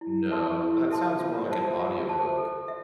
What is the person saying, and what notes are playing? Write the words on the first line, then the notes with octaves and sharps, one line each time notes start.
No, that sounds more like an audiobook
E4
A4 E5 A5 C6
E4
A4 E5 A5 C6
F4
C5 E5 A5
F4
C5 E5 A5
A4
E5